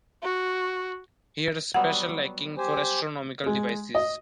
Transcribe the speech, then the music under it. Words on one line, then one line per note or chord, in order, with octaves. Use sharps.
He had a special liking for astronomical devices.
F#4
F#3 G3 B3 F#5
G4 C5 G#5
G#3
D#5